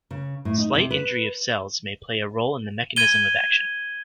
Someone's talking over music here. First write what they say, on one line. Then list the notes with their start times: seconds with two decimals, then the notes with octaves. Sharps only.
Slight injury of cells may play a role in the mechanism of action.
0.11 C#3
0.45 A2
0.58 D#4
0.75 C3
0.91 B4
2.96 G#6 D#7 G7